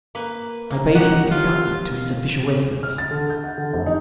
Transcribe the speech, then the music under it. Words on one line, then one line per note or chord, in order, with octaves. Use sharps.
I bade him conduct me to his official residence.
A#3 B4
A#3
C#4 D#4 G4 F#5
F4
F6
A6
D3
G6
F#5
D3
F1
D#4